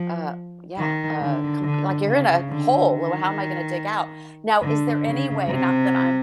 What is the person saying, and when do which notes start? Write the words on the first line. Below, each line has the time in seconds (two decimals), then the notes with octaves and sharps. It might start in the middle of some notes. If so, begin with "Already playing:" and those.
uh, yeah, uh, com like you're in a hole, "L how am I gonna dig out?" Now, is there any way, not that I'm
Already playing: F3
0.78 D#3
1.21 D3
1.64 D3
2.06 C#3
2.49 D3
2.92 D#3
4.62 D3
5.05 C#3
5.48 C3